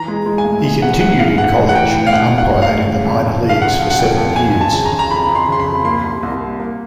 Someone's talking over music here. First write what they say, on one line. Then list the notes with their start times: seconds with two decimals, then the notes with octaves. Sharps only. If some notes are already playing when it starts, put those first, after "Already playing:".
He continued in college and umpired in the minor leagues for seven years.
Already playing: E3 A#5
0.08 G#3
0.26 G#3
0.38 G#5
0.45 A2
0.64 G#3
0.82 E3 F#5
1.00 A2 F#5
1.19 G#3 F5
1.37 E3 F#5
1.57 A2
1.69 F#5
1.75 E3 G5
1.94 A2
2.07 F5
2.13 A2 F#5
2.31 A2
2.38 F#5
2.50 A2
2.62 F5
2.68 A2
2.86 C#3
3.05 F2
3.24 F2
3.42 C#3
3.49 F5
3.62 F2 F#5
3.81 F2
3.90 F#5
3.98 F2 G5
4.17 F2
4.36 F2 G#5
4.55 F2
4.61 A5
4.73 C#3
4.85 A#5
4.92 C#3
4.99 A#5
5.11 F2 B5
5.29 F2
5.35 C6
5.48 C#3 C6
5.60 B5
5.66 F2
5.85 A#3 C6
6.03 C2
6.23 C2
6.40 A#3
6.59 A#3